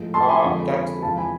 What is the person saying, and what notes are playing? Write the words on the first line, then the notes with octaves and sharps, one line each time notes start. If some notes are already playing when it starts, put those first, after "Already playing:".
Um, that's the
Already playing: A2 F3 G#3
A5 C6
G#5 B5
F2 D3 F3 G#3
E2 C3 F3 G#3 F5 A5
G#5 B5